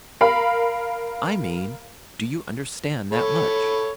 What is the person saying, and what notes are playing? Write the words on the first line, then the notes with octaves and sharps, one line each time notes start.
"I mean, do you understand that much?"
A#4 F5 B5
A4 C#5 B5